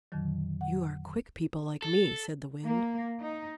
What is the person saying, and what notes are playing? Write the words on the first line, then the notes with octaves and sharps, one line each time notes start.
"You are quick people like me," said the Wind.
F2 A#2 D3 D#3 F#3
F#5
A4
A#3
D#4